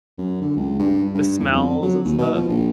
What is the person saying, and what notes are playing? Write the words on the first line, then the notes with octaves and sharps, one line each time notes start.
the smells and stuff?
F#2
D3
C#2
G2
G2
E2
F2
F#3
D#2
B2
F3
A#1